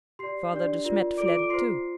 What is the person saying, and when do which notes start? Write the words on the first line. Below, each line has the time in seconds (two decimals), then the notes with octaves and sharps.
Father De Smet fled, too.
0.19 G4 D5 C6 C7
0.52 D4 G4 D5
0.85 F4 A#4 D5
1.17 F4 A4 D5 D6 D7
1.28 D6 D7
1.39 D6 D7
1.49 F4 C5 C6 C7